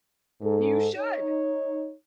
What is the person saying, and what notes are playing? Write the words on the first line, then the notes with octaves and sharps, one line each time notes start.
You should.
G#2 A4
D#4 C#5